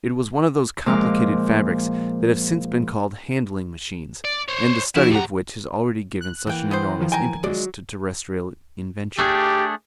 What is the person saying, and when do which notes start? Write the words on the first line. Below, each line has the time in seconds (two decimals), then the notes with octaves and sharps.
It was one of those complicated fabrics that have since been called handling-machines, and the study of which has already given such an enormous impetus to terrestrial invention.
0.86 A#2 F3 G#3 D6 F6
4.25 D5
4.49 C5 C#5
4.96 F3 D#4 E4 F#4
5.11 A2 G4 F#5 A#5
6.21 F#6
6.47 E3 A#3 F#5 G5
6.71 B3 C4 C5
7.00 D#3 F3
7.12 G5 G#5 A#5
7.44 F#3 G#3 D5
9.19 A3 D4 G4 G#4